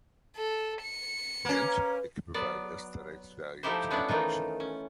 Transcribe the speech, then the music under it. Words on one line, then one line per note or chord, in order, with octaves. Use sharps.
Hence, it can provide aesthetics value to the patient.
A4
C#7
A#3 C#4 B4
F#3 B3 D5
F3 A3 D#4 E4 G4 C5
B3 C#4 D4 E4 F#5
D#3 E3 A3 D#4 F4
C#4